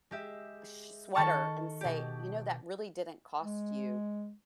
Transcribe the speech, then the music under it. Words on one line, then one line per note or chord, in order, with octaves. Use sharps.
sh sweater and say, "You know, that really didn't cost you
G#3 G4 E5
D#3 A4 A5 C#6
B2 G4
G#3